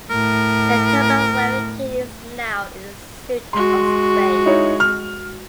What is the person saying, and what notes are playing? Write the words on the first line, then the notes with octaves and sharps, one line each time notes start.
The turban wearing king is now in the suit of spades.
A2 A#4
G#3 F#4 C6
D#4 E4 C#5
F6